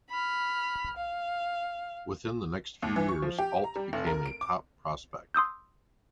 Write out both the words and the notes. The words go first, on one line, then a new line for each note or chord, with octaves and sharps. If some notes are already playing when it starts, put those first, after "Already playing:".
Within the next few years, Ault became a top prospect.
B5 F6
F5
D#2
E3
C#6
F3
G4
A#5
G3
F1
A#4
D7
D6
C6 D#6 E6 G6